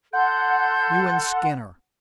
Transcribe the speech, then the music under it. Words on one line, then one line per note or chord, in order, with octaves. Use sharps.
"You and Skinner."
A4 F#5 C6 G6